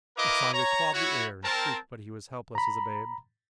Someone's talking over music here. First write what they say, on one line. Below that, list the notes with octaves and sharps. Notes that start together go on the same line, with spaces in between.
Usanga clawed the air and shrieked but he was helpless as a babe.
E4 A#4 B4 D#5 F5 D6
C#5 A#5
E4 F#4 C#5
C4 A#4 A5
A#5 B5